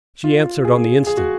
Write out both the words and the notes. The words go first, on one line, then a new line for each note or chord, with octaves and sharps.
She answered on the instant.
F4
G#4
G#4
F#4